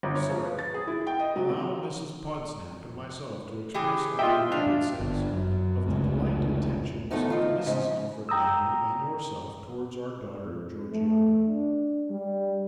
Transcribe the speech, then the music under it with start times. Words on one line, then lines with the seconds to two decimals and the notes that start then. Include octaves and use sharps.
Sir: Allow Mrs Podsnap and myself to express our united sense of the polite attentions of Mrs Alfred Lammle and yourself towards our daughter, Georgiana.
0.03 G1
0.15 C#5
0.29 F3
0.45 B4
0.59 A6
0.74 G#4
0.87 E4
1.07 G5
1.20 D#5
1.36 F#3
1.50 C3
3.74 E3 G4 G#4
4.19 F4 D#5 E5 G5
4.52 D4 F5
5.00 G1
5.33 F#2
5.87 F1 C#2
7.11 E2 A2 D#3 A3 B3 A4
7.28 D2 F4 D#5
7.66 G#2 C#3
8.29 G5 A#5 D#6 E6
10.44 F2
10.92 A3
11.47 D4
12.10 G3